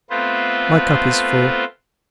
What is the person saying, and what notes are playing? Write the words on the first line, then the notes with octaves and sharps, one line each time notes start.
My cup is full.
A3 B3 C4 F4 B4 C5